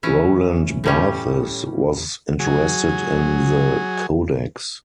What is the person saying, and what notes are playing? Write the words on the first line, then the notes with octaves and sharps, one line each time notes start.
Roland Barthes was interested in the Codex.
E3 C#4
A2 G3 C#4
F#3 G#4